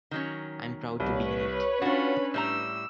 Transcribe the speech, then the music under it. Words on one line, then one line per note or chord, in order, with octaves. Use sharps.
I'm proud to be in it.
D#3 F#3 C#4
C2 B4 C#5
C#4 D4 F4 F#4 B5
A2 G3 A#5 E6